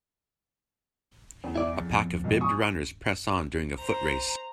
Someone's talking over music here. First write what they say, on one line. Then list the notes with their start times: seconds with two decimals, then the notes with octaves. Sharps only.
A pack of bibbed runners press on during a foot race.
1.44 E2
1.56 E4 D5
1.73 F2
2.24 B1 G#2
2.41 G#5 C#6 D#6
3.78 C5 A#5